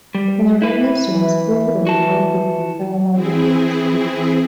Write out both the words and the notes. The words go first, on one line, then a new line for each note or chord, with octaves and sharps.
Perez was in-and-out of the Fire lineup since.
G3
E4 B4
E3
F#4 A5
E3 C4 E4 G#4